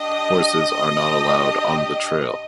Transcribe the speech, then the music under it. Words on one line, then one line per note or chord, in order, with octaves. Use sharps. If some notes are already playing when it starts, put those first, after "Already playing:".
Horses are not allowed on the trail.
Already playing: D4 G4 D#5
D4 G4